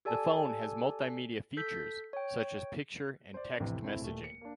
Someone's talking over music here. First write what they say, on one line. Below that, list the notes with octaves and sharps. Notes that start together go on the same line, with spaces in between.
The phone has multimedia features such as picture and text messaging.
G4 A4 D5 G#5 A5
A4 G6 B6
C#5 G5
C5 D5
A1 F2 C3 E3
A3 C4 E4
D#1 A3
C#7
A#3 D4